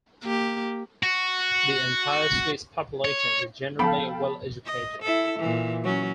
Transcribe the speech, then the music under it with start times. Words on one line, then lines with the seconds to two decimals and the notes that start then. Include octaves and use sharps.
The entire Swiss population is generally well-educated.
0.23 A#3 G4
1.03 F#4
3.05 C#5
3.79 F3 B3 A4 F5 G5 A5 B5
4.66 D#5
5.02 E4 A4
5.39 A#2 E3
5.84 F#3 C#4